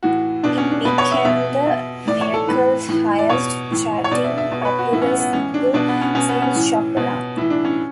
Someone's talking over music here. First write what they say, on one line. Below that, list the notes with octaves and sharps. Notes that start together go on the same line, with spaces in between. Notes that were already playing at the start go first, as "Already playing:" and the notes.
It became the Miracles highest charting popular single since "Shop Around".
A2 E3 F#4
B2 D4
C#4
D4
B2 B4
C#5
E5
B2 E5
B2 E5
A2 E3 D5
C#5
A4
A2 E3 B4
A2 E3
D5
B2 C#5
A2 E3
C#5
B2 D5
E5
E5
B2
C#5
B4
F#4
A2 E3 E4
C#4
B3
B3
A2 E3 C#4
D4
B2 D4
B3
C#4
B2 C#4
B3
C#4
A2 E3
B2
A2 E3 E4
D4
C#4